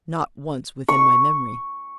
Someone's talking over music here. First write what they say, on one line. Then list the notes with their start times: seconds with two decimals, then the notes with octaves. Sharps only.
"Not once within my memory."
0.88 C#6